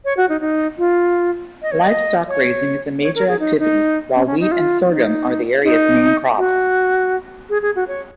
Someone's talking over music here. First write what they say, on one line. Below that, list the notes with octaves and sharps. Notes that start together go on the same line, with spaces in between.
Livestock-raising is a major activity while wheat and sorghum are the area's main crops.
C#5
F#4
D#4
D#4
F4
D#5
C#5
D#5
C#5
C#5
A#4
G#4
D#4
D#4
C#4
C#4
D#4
F4
D#4
D#4
F#4
G#4
G#4
F#4
C#5